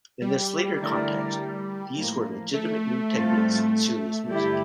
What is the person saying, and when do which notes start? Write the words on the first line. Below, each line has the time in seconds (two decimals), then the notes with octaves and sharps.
In this later context, these were legitimate new techniques in serious music.
0.22 G3
0.79 D3 A3 E4 A#4 D5
1.95 A2 F3 A#3
2.54 A3
3.11 A2 G3 C4 F4 A4
4.27 G2 D3 A3 E4 G4